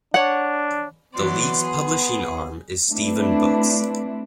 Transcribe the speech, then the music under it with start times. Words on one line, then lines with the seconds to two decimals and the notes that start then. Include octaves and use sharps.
The League's publishing arm is Steven Books.
0.14 D4 C#5 F#5
1.13 E3 F#3 B3 D5 C6
1.64 G#4
2.90 A3 C4 D4 E4 B4